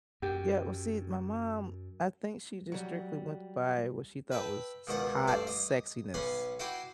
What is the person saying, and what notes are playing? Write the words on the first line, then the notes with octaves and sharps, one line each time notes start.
Yeah, well, see, my mom, I think she just strictly went by what she thought was hot sexiness.
F#2 G4
F#3 G3
B4 E5 G5 A5
C#2 B2 D#3 F3 D#5 F#5
A1 G2 A4 C5 D5
D#5
B1 B3 C#4 F#5 G#5 C6
E4 F#4 G5 G#5 C6 D6